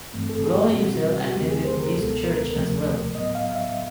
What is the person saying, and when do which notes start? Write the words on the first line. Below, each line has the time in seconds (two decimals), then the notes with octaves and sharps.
Goh himself attended this church as well.
0.13 G2 E3 A3 C4
0.29 A4
0.44 G#4
0.59 G4
0.73 B2 G3 C4 F#4
0.95 E4
1.14 F#4
1.34 E2 C#3 F#3 A3 C4 G4
1.49 G#4
1.64 C5
1.80 A#4
1.94 C#2 B2 G#3 B3 A4
2.24 A#4
2.55 D2 C3 F3 A3
3.15 A2 F#3 B3 D#5
3.35 F5
3.55 E5